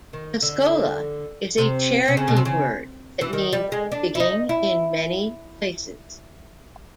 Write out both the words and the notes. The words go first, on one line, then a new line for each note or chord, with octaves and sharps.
Tuscola is a Cherokee word that means "Digging in Many Places".
D#3
D3
C3
C3
C#3
B2
C3
C#3
E3
D#3
G3
G#3
D4
E4
D#4
E4